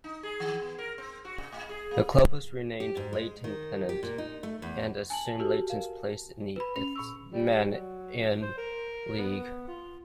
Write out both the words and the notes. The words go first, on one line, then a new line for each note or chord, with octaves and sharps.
The club was renamed Leyton Pennant, and assumed Leyton's place in the Isthmian League.
D#4
G#4
D#3
B3
A#4
C4
F#4
C3
A2
G#4
A#3
G4
G#2
G#3
D#3
G4
A#2
D#4
A3
E2
G#5 A5 F#7
F#4 G4 A4
A#4 F5
B4 B5
C#4 F7
A#2 C#6 E6
G3
F#3
C5
A#4
B3
F4